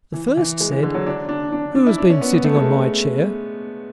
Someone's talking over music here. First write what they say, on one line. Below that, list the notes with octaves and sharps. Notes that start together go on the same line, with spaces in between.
The first said, "Who has been sitting on my chair?"
E3
E3
G#3
E3
D3
F#3
D4
D4
D4
D4
E4
D4
C#4
B3
B3
A3
G#3